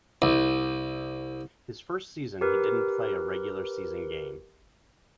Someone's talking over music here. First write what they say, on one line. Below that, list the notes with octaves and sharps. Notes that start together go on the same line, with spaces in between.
His first season he didn't play a regular season game.
C2
G4 A#4 B4